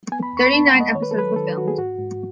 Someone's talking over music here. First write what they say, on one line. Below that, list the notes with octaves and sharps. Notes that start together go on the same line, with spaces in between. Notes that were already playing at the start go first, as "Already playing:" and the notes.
Thirty-nine episodes were filmed.
B3 G#5
B5
E2 C#6
B5
B3 A5
F#5
G#3
D#5
D#3 C#5
B4
A4
F#3 B4
D#3 A4
D#3 F#4
G#4
G#2 F#4
G#2